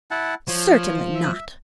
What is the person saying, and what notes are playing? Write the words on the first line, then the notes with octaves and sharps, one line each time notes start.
"Certainly not!"
E4 F#5 A5
F3 C#5
E5